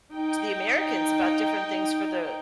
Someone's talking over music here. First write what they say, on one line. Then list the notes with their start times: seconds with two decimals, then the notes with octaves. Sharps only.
to the Americans about different things for the
0.14 D#4 G5